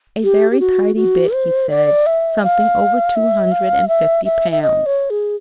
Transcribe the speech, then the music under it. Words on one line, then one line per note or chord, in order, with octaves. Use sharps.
'A very tidy bit,' he said; 'something over two hundred and fifty pounds.
G4
G4
F#4
F#4
C5
D5
E5
F5
E5
F5
E5
E5
E5
D#5
C#5
G#4